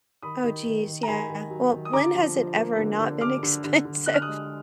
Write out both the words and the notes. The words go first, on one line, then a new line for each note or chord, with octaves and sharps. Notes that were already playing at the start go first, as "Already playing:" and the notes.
Oh, jeez, yeah. Well, when has it ever not been expensive?
D#3 B5 D#6
D#3
D#3
D#3
A#5
D#3 G#5 B5
D#3
F#3
D#3
D#6
D3 A#5 D6
F3
F3
A#3
D3
D3
D3 D6 F6
D3
D3
D3
D3 F#6
F6
D#6 F#6
G#3